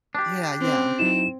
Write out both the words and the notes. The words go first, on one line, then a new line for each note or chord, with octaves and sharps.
Yeah, yeah.
D4 G4
C4 C#4
F#3 D#4 E4 E7